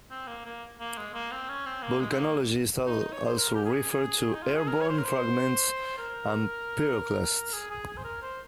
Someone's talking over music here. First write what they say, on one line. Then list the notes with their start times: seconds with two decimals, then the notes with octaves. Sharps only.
Volcanologists also refer to airborne fragments as pyroclasts.
0.10 C4
0.27 A#3
0.45 A#3
0.80 A#3
0.97 G#3
1.14 A#3
1.32 C4
1.49 C#4
1.66 C4
1.83 A#3
2.00 G#3
2.11 C4
2.18 A#3
2.86 D#4
3.00 D#4
3.13 C#5
3.26 C5
3.38 A#4
3.55 G4
3.65 G#4
3.91 G#4
4.34 D#4
4.43 F4
4.55 G#4
4.68 A#4
4.81 C#5
4.89 C5
4.98 A#4
5.05 C5
5.98 A#4
7.53 G#4
7.70 G#4
7.87 G#4
7.97 C5
8.04 A#4
8.22 C5